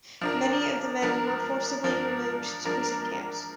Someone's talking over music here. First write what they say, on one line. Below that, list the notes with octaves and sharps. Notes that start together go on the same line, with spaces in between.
Many of the men were forcibly removed to prison camps.
F3 D4 A#4
F3 D4 A#4
F3 D4 A#4
F3 D4 A#4